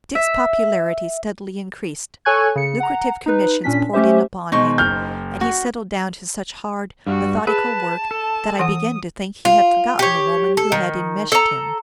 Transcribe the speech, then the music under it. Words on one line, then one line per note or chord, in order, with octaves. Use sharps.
Dick's popularity steadily increased; lucrative commissions poured in upon him, and he settled down to such hard, methodical work, that I began to think he had forgotten the woman who had enmeshed him.
E5
A4 C#5 G#5 C#6 F#6 G#6
C#3 C#7
F#5 A#5
D#4 B4
A#2 C#4 D4 B6
A3 C#4 G4 C5 E5
B2 G#3 D#4 C5 C#6
F#1 F6 G6
F#4
G2 G3 F#4
G#4 B4 A5
A4
E3 F#5 D#6
F4
G4 C#5
A4
D#3
A4 A#5